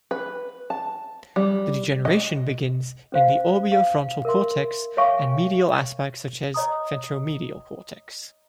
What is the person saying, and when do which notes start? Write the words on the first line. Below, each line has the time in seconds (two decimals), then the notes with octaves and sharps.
The degeneration begins in the orbitofrontal cortex and medial aspects such as ventromedial cortex.
0.11 B4
0.70 A5
1.36 G3
2.05 D#5
3.12 C#4 C5 F5
3.72 F5
4.25 A#4 E5 C6
4.97 C#5 E5 F5 G5 G#5 C#6
6.54 C#5 D#5 A#5 D#6